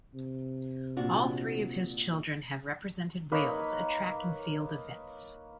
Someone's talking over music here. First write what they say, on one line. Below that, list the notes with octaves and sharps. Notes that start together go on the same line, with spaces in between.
All three of his children have represented Wales at Track and Field events.
C3
A#2 D4 F#4
A#3 D#4 B4 C#5